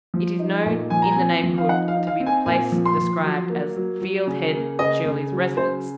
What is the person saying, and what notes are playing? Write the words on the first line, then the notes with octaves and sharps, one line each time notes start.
It is known in the neighbourhood to be the place described as "Field Head," Shirley's residence.
F3
D#4
A#2
F3 G#5
A#5
C4 G#5
F3
F5
D#4 F#5
F5
D#4
F5
C4
G#5
A#2 G#5
F3
C6
F3
F#3
A#3
F#3
F#3
C#3
A#3
C#3 D#5
C#3
F#3
C#3 C5